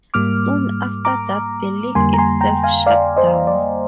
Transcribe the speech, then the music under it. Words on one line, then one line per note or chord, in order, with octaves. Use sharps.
Soon after that the league itself shut down.
G#2 G3 A#3 D6 F6
A#5 D6
F2 D3 G3 A#3 G#5 C6
A#5
G#5 C6
G5 A#5
F5 G#5
D5 F5
C5 D#5
D5